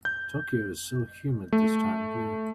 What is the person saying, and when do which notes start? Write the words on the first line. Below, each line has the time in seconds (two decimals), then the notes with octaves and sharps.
Tokyo is so humid this time of year.
0.05 G6
1.53 A3